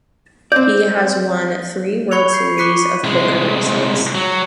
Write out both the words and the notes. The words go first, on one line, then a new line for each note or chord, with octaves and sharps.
He has won three World Series of Poker bracelets.
C4 D5 G6
B5 C#6 G#6 C#7 F7
G6 C7
C#6 D6 F#6 B6 C#7 D#7
C2 G#3
F#3